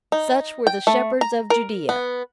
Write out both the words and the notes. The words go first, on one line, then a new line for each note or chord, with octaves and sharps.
Such were the shepherds of Judea!
D#4
G5
A3
A#5
A#4
B3